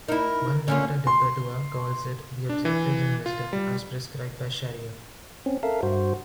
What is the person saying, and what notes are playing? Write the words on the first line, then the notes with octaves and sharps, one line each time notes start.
One Doctor Dipertua calls it "the objectives and wisdom" as "prescribed by Shariah".
D#4 E4 A#4
D3 A#3 C#4 F4
C6
D4
E3
F4
G3
C4 C#4
A4 A#4 E5 F5
G2 F#4 C5